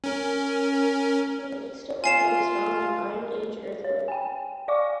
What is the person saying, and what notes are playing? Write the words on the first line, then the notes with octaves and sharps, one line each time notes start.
To the east of the hill is found an Iron Age earthwork.
C#4 A#4
F4 G#5 C7 E7
C#5
G5 G#5
D5 F5 C#6 D6